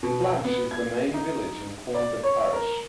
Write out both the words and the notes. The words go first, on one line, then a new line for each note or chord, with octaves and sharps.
Flash is the main village in Quarnford Parish.
B2
B3
G#6
D#4
D5
C#5
A#4